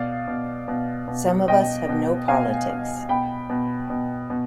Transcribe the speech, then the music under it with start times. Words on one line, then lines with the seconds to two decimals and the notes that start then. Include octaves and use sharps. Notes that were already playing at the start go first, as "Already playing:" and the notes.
Some of us have no politics.
Already playing: B2 D5 F5
0.27 B2
0.68 B2
1.08 B2
1.48 B2 D#5 G5
1.89 B2
2.28 B2 F5 G#5
2.69 B2
3.09 B2 G5 B5
3.49 B2
3.90 B2
4.30 B2